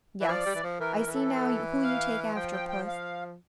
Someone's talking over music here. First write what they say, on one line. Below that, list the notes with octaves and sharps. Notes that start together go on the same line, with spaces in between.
'Yes, I see now who you take after, puss.
E3
E5
F3 D5
G3
E3
F3
E3 A#4
A#4
E3
A4
F5
F3 G5
G5
G5
F5